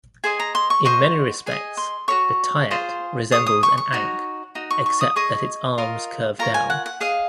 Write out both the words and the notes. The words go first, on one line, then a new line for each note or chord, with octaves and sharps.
In many respects the tyet resembles an ankh, except that its arms curve down.
G#4 C5 D#5 G#5
A#5
C6
C#6
F#4 C5 D#5 C#6
G#4 D#5 G#5
C6
F#4 A#4 C#5 C#6
F4 G#4 C5
G#4 C#5 D#6
D#6
C#6
C#6
D#4 F#4 C#5
D#4 F#4
C#6
C#6
D#6
G#4 D#5 C#6
F4 A#4 D#5
F4 A#4 C#5 A#5
G#5
F#5
F#5
G#4 D#5 F5